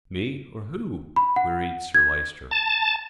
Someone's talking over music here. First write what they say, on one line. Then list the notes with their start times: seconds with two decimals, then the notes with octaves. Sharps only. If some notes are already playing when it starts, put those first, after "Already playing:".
"Me or who?" queried Sir Lyster.
1.16 B5
1.36 F#5
1.95 G#6
2.51 A5